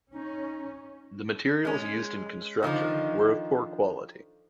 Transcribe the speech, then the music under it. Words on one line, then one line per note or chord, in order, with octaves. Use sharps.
The materials used in construction were of poor quality.
C#4 D#4
G#3 C#4
D3 D#3 F3 D#4